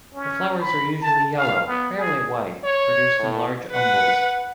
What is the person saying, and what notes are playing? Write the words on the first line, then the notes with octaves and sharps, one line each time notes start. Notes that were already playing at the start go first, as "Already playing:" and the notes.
The flowers are usually yellow, rarely white, produced in large umbels.
C#4
B5
A5
F5
B3
G#4
C#5
A2
B4 F#5